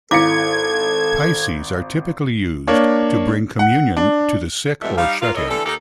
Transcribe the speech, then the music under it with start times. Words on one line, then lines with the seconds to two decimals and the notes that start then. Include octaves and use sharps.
Pyxes are typically used to bring communion to the sick or shut-in.
0.11 G#1 E4 A4 F5 D6 G#6 C#7
2.67 A#3 D4 C#5
3.59 F#5
3.97 D4
4.82 F2 G#2 B2 G3 A3 E5
4.97 G3 D#4 G4 F5
5.22 A#3 F4
5.35 D#3 E4 A4 A#4 C#5 D#5
5.48 D3 E3 G3 A4
5.65 D#2 D#4 G4 A4 A#4